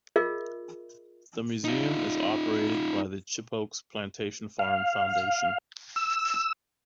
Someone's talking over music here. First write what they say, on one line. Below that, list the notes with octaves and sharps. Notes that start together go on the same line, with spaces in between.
The museum is operated by the Chippokes Plantation Farm Foundation.
F4 G#4 A#4 D#5 E5
D#4 F4
F5
E6